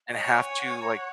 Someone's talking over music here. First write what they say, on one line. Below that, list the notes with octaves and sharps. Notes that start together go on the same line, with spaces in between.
and have to like
C#5 D#5
F#5
G#5
F#5
G#5
A#5
F#5